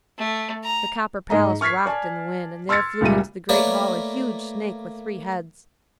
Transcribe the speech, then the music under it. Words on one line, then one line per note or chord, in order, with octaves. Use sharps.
The copper palace rocked in the wind, and there flew into the great hall a huge snake with three heads.
A3
A#5
G#2 D#5 A#5
C#6 F6 G#6 B6 C7
D5 G#5 A5
C6 E6 F6 G#6 A6 C#7
C#2 A#2 G3 A#4 E5 D#7
A3 A#3 A#4 B4 C#5 D5